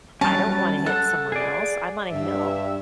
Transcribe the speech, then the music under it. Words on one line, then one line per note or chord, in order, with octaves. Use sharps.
I don't wanna hit someone else, I'm on a hill.
F#3 G3 C#4 A5
A4 F#5
G#4 D5
G2 E5